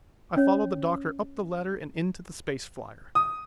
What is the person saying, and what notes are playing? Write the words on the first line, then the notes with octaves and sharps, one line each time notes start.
I followed the Doctor up the ladder and into the space flier.
C#4 C#5
D#6